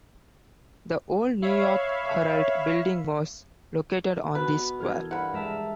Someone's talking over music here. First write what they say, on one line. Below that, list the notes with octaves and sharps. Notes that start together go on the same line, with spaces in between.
The old New York Herald Building was located on the square.
C#5 E5 F5 B5
B2 B4
E3 A4 A#4 F6 G#6
G2 F#5 B5
G#3 A#4 E5 A5